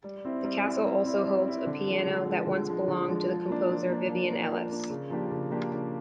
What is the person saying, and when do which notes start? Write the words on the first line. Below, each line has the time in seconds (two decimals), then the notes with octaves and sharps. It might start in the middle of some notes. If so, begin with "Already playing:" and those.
The castle also holds a piano that once belonged to the composer Vivian Ellis.
0.04 G3
0.25 C4 E4
0.44 G3
0.65 C4 E4
0.85 G3
1.05 C4 E4
1.25 G3
1.46 C4 E4
1.66 D3
1.86 F3 G#3
2.06 D3
2.27 F3 G#3
2.47 D3
2.68 F3 G#3
2.88 D3
3.08 F3 G#3
3.29 F3
3.48 A#3 D4
3.69 F3
3.89 A#3 D4
4.09 F3
4.30 A#3 D4
4.50 F3
4.70 A#3 D4
4.90 C#3
5.10 F3 A#3 D4 G4
5.31 C#3
5.51 F3 A#3 D4 G4
5.71 C#3